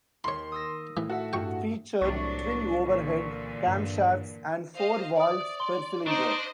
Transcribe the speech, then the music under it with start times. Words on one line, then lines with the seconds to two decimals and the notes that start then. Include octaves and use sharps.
It featured twin overhead camshafts and four valves per cylinder.
0.24 D#2 C#5 B5 C6
0.52 D#6 E6 A#6
0.97 A2 E3
1.10 F#4 A4 E5
1.33 G2 G5 C#6
2.01 C2 A2 F#3 D4 C#6
2.83 A#2 D3 E3
3.67 G2
4.76 C5 D#5 F5
5.16 C5 D5 E5 D#6
5.60 C6 G7
6.07 D4 D#4 C5 D5 D#5 C#6